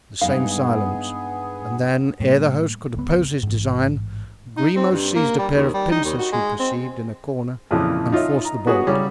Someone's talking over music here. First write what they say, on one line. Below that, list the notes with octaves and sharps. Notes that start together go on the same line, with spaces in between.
The same silence, and then, ere the host could oppose his design, Grimaud seized a pair of pincers he perceived in a corner and forced the bolt.
G2 G#3 B3 D#4 G#4 F5
A2 G3 G#3 A#3
G1 C#2 B3
A1 G#2
D#4
C4
G2
A#3
G3
D#2
G3
D#4
D#2
F#4
G#3
C4
F2 A#2 C#3 E3 F3
D#4 F4 C#5 E5
A#5
B3 F#4 G#4 B4 C#5
C#3 G3 C#4